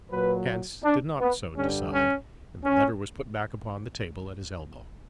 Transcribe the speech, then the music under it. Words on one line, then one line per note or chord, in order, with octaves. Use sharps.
But chance did not so decide, and the letter was put back upon the table at his elbow.
A#2 F#3 B4
D4
B3
G2 D3 G3 C#4
C#4
C#4